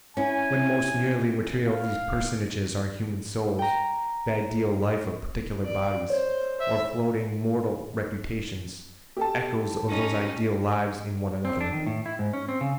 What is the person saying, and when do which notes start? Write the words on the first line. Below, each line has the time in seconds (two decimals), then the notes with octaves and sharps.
When most nearly material these personages are human souls--the ideal life of particular bodies--or floating mortal reputations--echoes of those ideal lives in one another.
0.17 C#4 E4 G#5
1.65 F5
3.59 G5 A#5
5.65 D5
6.10 C5 C#5
6.60 E5
9.17 G4 A4 A5
9.89 C#4 D#4
11.45 C4
11.61 D4
11.73 D#3
11.86 A2
12.06 E4
12.19 G#2
12.33 C#4
12.48 C4
12.61 C#3